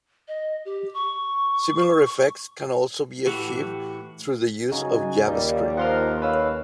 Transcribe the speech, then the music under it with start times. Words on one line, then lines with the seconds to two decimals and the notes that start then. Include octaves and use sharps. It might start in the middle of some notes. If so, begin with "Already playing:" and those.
Similar effects can also be achieved through the use of JavaScript.
0.28 D#5
0.65 G4
0.94 C#6
3.26 A2 E3 F#4 G4
4.72 F#2 C#3 G3 D#4 F#4 G#5
5.26 D#2 A#2 G3 D#4
5.77 F3 A#4 F#5 C6 F6
6.22 C#4 B4 F5 E6